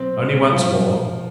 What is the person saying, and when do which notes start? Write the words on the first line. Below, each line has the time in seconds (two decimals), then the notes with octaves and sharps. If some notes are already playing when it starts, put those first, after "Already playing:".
"Only once more."
Already playing: B1 C4
0.18 B2 G#3
0.52 B1 F3